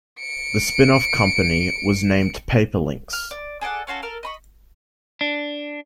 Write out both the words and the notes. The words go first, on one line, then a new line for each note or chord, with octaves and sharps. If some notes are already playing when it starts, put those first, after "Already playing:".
The spin-off company was named Paperlinx.
C#7 D7
F6
D5
G#4 A4 D5 F#5
C#4 F4 F#4 A4
A4 A#4 F6
D#5 B5 C#6
D4